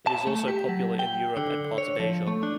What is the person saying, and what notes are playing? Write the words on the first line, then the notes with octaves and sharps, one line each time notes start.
It is also popular in Europe and parts of Asia.
A5
A3
G4
F#3
G5
D3
C#5
F3
A3
D4